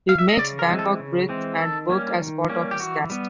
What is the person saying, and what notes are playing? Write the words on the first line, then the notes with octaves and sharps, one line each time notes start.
He makes Bangkok breathe and work as part of his cast.
F5
E5
D#5
C#3 D5
A#4
E3 G#3 C4
A4
C#3
E3 G#3 C4
D#3 A4
G3 A#3 C#4
D#3
G3 A#3 C#4
G4
E3 F#4
G3 B3